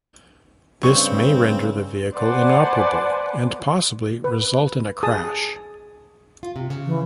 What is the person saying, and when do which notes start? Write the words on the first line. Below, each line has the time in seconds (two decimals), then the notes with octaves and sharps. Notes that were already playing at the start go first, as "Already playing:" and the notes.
This may render the vehicle inoperable and possibly result in a crash.
0.83 G2 C#3 C4 C#6
2.16 B4 C5 D5 F#5 G#5 A5
4.24 B4
5.03 G#4 A5 D#6
6.43 F4
6.56 C3
6.70 C#3
6.86 E3